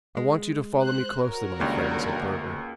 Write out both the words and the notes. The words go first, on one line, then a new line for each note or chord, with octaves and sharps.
"I want you to follow me closely, my friend," said Burger.
G#3
C5 F#6
F#4 A#4 C#5
C#2 D3 D#3 G3 A#3
D2